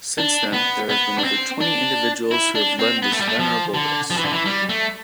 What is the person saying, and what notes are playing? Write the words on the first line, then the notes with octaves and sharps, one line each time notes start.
Since then there have been over twenty individuals who have led this venerable race.
D4
B3
B3
D4
C4
D4
E4
D4
C4
B3
A3
G3
A3
F3
D3
F3
E3
D3
E3
G3
A3